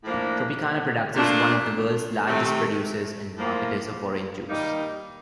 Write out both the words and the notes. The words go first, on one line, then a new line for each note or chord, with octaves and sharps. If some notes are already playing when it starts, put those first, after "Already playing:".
Tropicana Products is one of the world's largest producers and marketers of orange juice.
A2 F3 A#3 D4
A#2 A3 D4 F4
C3 D#3 A3
A2 F3 A#3 F4
D#3 G3 A#3 D#4